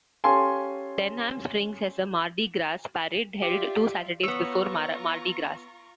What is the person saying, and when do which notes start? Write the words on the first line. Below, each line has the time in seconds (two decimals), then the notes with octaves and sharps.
Denham Springs has a Mardi Gras Parade held two Saturdays before Mardi Gras.
0.24 C#4 G4 A4 F5 G#5 C6
3.42 F4 G4 D5 E5
4.23 B3 F4 C#5 A#5 C#6 E6